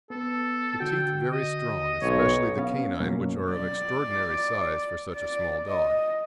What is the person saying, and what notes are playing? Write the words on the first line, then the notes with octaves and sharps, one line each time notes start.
The teeth very strong, especially the canine, which are of extraordinary size for such a small dog.
B3 A4
D3 F#4 G5
D#5
B1 B2 C#5
B3 C#4 F5
F#2 B2 F#3 A#3 C#4
D5
D5
D#5